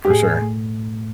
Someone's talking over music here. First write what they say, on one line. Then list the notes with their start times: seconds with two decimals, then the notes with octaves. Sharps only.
For sure.
0.05 G4
0.10 A2 G#4
0.42 A3